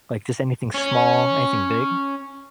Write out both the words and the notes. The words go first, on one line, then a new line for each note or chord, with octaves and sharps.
Like, just anything small, anything big?
C#4 C#5